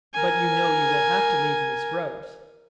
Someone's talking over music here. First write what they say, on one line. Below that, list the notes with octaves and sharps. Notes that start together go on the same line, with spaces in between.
"But you know you will have to leave Miss Rose."
A#4 G#5